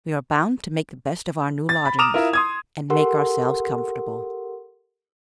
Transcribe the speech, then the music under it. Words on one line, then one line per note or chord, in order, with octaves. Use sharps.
We are bound to make the best of our new lodgings, and make ourselves comfortable.
A6
B5
A#5 D6 D#6 F6 E7 F7
E4 F4 A#4
C6 D#6 G#6
G4 A4 A#4 F#5 C6